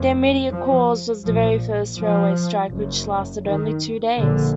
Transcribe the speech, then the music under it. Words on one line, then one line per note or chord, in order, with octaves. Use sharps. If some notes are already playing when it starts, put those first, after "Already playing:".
Their immediate cause was the very first Railway Strike which lasted only two days.
Already playing: F1 F2
F3
A#1 A#2 F3
F3
F#1 F#2
D#3
A#1 A#2 D3